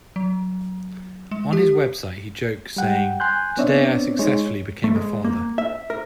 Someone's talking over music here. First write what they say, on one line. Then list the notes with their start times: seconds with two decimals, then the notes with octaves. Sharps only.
On his website he jokes saying, "Today I successfully became a father!"
0.16 F#3
1.31 G#3
1.53 G4
2.77 G3 F#5 G5
3.20 G#5 C6 F#6 G6
3.57 B3 C4 D4 C#5 D5 E5
4.19 G#3 D#4 C#5
4.84 A3
4.96 G#3
5.24 A#3
5.58 E5
5.90 A#4